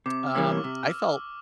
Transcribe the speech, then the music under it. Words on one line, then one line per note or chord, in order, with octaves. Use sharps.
Um, I felt
C3 D6
F6
E3 G3 A#3 C#4 E6
C#6
C3 D6